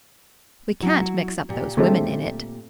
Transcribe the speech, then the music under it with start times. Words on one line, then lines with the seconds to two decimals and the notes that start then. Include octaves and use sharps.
We can't mix up those women in it.
0.82 F#3 E4 F#4
1.49 A#2 G4
1.77 D3 F#3 G#3 A3 C4 A4